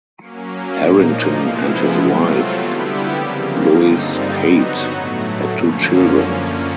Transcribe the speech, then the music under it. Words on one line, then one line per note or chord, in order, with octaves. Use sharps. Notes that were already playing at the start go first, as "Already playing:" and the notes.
Herrington and his wife, Lois Haight, had two children.
F#3 A#3 C#4
A#2 F3 A#3 D#4
C3 F3 G#3 B3 E4
F#3 A3 C4 F4
D3 G3 B3 E4 G4
C#3 F3 A#3
G2 D3 G3 C4 D#4
F#3 B3 D#4 F#4
A2 F#3 A3
F#2 D3 F3 A#3 C#4